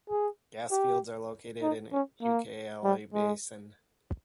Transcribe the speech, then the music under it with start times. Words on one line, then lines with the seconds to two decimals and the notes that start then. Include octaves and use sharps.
Gas fields are located in Ucayali Basin.
0.10 G#4
0.71 G4
1.62 D#4
1.92 C#4
2.22 A#3
2.84 G3
3.13 G#3